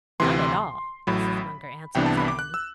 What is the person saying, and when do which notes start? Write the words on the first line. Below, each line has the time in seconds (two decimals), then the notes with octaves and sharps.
"Not at all!" Mrs. Munger answered for Annie.
0.20 D2 C3 E3 C6
1.07 A1 A2 F#3 B5
1.95 C2 C3 E3 B3 D4 G5
2.06 A5
2.17 B5
2.28 D6
2.39 F#6
2.54 E6